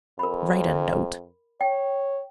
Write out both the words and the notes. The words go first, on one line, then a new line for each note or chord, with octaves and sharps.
Write a note!
F2 A#4 B5
C#5 G5